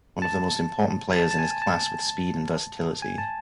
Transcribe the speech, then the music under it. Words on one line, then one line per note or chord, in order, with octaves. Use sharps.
One of the most important players in his class with speed and versatility.
A5
A5
A5
G#5
A5
G#5
A5